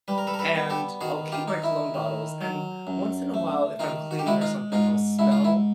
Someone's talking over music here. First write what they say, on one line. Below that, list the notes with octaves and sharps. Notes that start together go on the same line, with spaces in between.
and I'll keep my cologne bottles, and once in a while, if I'm cleaning or something, I'll smell
G3 B4
A#4
A4 B4
A#4
A4 B4
B3
G4 A4
D#3 F#4 G#4
F4 G4
D#4
E4
D#3
F#3
F#2
A3
D#3 D#4 F4
F#4
G4
G#3 E4 F#4
D#4 F4
G#2 D#4 F4
G#2 E4
F4
E4